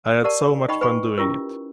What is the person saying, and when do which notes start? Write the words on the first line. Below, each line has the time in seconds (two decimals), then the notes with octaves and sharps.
I had so much fun doing it.
0.24 G4 A#4 D5 F#5 A5
0.68 D#4 D#5 F#5 G5 B5 C#6
0.81 B4 F#5 G#5 B5 C#6
1.18 C#4 E4 F4 G4 A#4